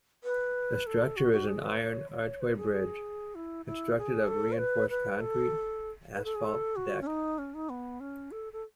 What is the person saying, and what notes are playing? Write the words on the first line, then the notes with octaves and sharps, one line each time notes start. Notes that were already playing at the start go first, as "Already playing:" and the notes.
The structure is an iron, archway bridge, constructed of reinforced concrete, asphalt deck.
B4
A4
F#4
F#4
G#4
B4
C#5
C#5
B4
G#4
E4
E4
G#4
A4
C#5
B4
B4
A4
B4
A4
G#4
A4
F#4
C#4
D#4
C#4
D#4
B3
C#4
A4
A4